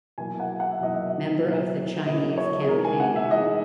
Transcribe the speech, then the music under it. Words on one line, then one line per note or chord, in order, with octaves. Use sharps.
Member of the Chinese campaign.
B2 F#3 A#3 E4 G#5
F#5
F#5
E5
B2 F#3 A#3 E4 D#5
E5
B2 F#3 A#3 E4
B2 F#3 A#3 E4 D#5
C#5
G#4
E3 G#3 D#4 A#4
G#5
F#5
E5
E3 G#3 D#4 D#5